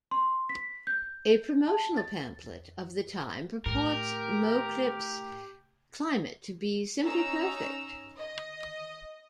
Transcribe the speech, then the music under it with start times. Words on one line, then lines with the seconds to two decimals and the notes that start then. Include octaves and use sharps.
A promotional pamphlet of the time purports Moclips' climate to be "simply perfect".
0.11 C6
0.49 B6
0.87 G6
1.67 A5
1.97 A6
3.66 A2 G4 A#4
7.04 C#4 D#4 A#5 E6
8.17 D#5